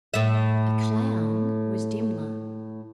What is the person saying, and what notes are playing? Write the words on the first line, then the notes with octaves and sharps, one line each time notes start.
A clown was Dimmler.
A2 E5